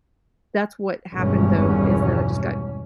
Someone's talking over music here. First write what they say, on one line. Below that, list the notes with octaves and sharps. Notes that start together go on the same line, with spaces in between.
that's what happened though, is that I just got
G#1 E2 G2 B2 C#4